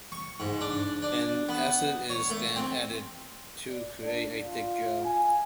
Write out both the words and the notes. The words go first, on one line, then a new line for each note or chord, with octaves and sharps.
An acid is then added to create a thick gel.
C#6
G#2
D4
D4
B3
C#5
A3
C4
D5
D4
F4
G#5